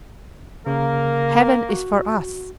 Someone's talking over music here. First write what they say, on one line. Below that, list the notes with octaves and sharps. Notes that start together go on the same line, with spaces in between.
Heaven is for us!
C#3 A#3 A#4
F#4